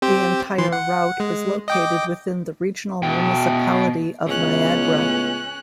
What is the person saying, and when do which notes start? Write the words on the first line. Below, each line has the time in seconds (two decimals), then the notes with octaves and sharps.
The entire route is located within the Regional Municipality of Niagara.
0.02 C4 G4 C5
0.58 E3 C6
0.72 F#5
1.20 G#3
1.68 D#5 G5 D6
3.03 B2 G5
4.27 C#2 A2 B3 C#4 F#6